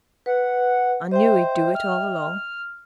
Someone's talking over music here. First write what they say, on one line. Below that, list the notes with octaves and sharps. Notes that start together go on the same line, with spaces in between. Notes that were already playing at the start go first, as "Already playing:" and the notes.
I knew he'd do it all long.
B4 F#5
C5 D#5 E5 G5
F6